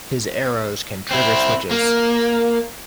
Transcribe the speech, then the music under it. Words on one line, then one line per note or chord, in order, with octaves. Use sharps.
His arrows can trigger switches.
C4 E4
A#3